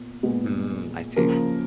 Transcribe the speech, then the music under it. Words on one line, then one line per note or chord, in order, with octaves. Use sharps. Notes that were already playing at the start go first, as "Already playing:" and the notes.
Mm, I see.
Already playing: A#2 B3
A#2 G#3 B3
C#3 F3 A#3 A#4